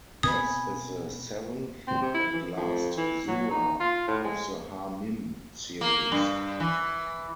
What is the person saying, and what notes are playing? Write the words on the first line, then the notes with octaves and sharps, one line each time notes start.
This is the seventh and last Surah of the Ha Mim series.
B2 B3 C4 G#5 B5 D#6
C4
C3
E4
E3
F2
E3
F#3
D#4
F4
A2
G#3
A#3
G2
E3